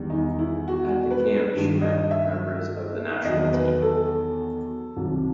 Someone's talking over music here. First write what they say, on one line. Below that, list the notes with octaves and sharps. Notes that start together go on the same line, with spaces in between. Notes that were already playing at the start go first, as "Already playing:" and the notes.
At the camp she met members of the national team.
Already playing: E2 D#3 G3
D#4
E4
F#4
B4
G2 D#3 G3
D#5
E5
E2 D#3 F#3 D#5
B4
A4
C2 C3 D#3 F#3